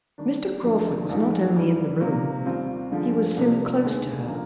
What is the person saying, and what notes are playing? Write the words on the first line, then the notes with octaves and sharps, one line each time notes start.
Mr. Crawford was not only in the room--he was soon close to her.
D#3 G3 D4
F2 D3 F3 A#3 D4
A#1 G#2 F3 G#3 D#4
F2 D#3 G3
C3 D#3 A#3
D#2 D#3 G3 C4 F4
G2 D3 F3 G#3
C2 C3 G3 D4 F4
F1 D#2 D3 G#3
D3 F3 A#3